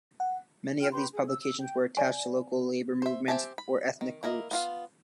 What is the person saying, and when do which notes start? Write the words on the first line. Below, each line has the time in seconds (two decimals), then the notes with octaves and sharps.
Many of these publications were attached to local labour movements or ethnic groups.
0.20 F#5
0.80 F4 G#4 G5 F6
0.92 G4 B4 B5 C6
1.13 G#4
1.28 E6
1.60 G5
1.97 D5 G#5
3.02 C5 E5
3.28 C4 G4 E5 G#5 A5
3.58 B5
4.01 D#3
4.23 A#3 E4 A#4 D5 D#5
4.51 B3 F4 F5